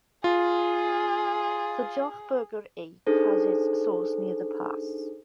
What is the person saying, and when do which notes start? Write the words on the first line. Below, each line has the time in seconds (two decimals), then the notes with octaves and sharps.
The Jochberger Ache has its source near the pass.
0.24 F4 G#4
3.07 D4 D#4 G#4 A4 C5